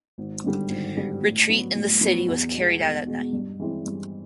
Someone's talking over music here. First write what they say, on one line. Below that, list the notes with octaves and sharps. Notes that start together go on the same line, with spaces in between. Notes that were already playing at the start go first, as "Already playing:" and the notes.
Retreat in the city was carried out at night.
G#1
G2 D3 G3
G#1
G2 D3 G3
A2
F#3 B3
A2
F#3 B3
E2
B2 G#3
E2
B2 G#3
G2
E3 G#3 C4 E4
G2